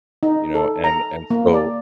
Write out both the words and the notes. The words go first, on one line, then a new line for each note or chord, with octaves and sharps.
You know, and and so
D#4
A4
A#5
A#3
D5